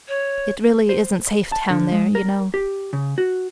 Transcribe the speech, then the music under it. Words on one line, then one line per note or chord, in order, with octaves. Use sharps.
"It really isn't safe down there, you know."
C#5
C5
A5
D3
G#3
A#4
G4
C#3
F#4